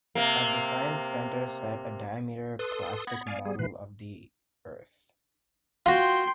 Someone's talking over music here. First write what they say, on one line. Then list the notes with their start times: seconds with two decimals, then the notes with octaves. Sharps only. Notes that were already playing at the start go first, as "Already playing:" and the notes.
At the sign's center sat a diameter plastic model of the Earth.
0.15 C3 A#3
2.59 A4 B4 C6 D#6
3.07 B3 B5 G#6 A#6
3.27 D5 F5 G#5
3.45 G3 G#4
3.59 A#2 E3 B4 C7
5.86 F4 F#4 G5 C6